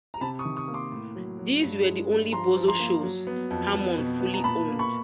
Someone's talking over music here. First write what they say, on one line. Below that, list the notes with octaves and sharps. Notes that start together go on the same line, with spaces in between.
These were the only Bozo shows Harmon fully owned.
A#5
C3 A5 B5
C#6 D#6
D#3
C#6 D#6
A#3
C6 D6
A2
F#3
F#3
G2
G#3
G2
F3 A#5 C6
F3
A#5 C6
A#3
F#3
B3
F2
B3
B2
B3
A#5
A#2 A5 B5
A#3
B5 C#6